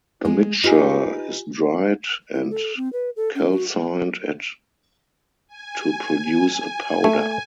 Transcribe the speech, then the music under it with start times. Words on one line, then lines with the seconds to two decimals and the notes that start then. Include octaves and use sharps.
The mixture is dried and calcined at to produce a powder.
0.25 G#3 G#4
0.64 D#4 F4 G4 B4 G#5
2.34 E4
2.50 A4
2.77 C4
2.93 B4
3.16 A4
3.35 C#4
3.52 F#4
5.47 G#5
7.04 A3